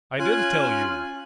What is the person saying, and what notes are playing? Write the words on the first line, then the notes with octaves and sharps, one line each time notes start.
I did tell you.
C#4 F4 G#5 F#6